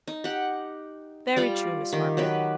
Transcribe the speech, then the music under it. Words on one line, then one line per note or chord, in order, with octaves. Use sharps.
'Very true, Miss Margaret.
D#4
G4 F#5
G3 F4 D5 F5
D#3 G4
F#3 G4 B4